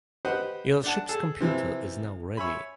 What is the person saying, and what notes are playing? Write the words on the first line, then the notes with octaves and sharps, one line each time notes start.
Your ship's computer is now ready.
G4 B4 C5 D#5 F#5
D4 F#5 A5
G#4 A4 A5
C3 E3 F3
C#5 E5 G#5 B5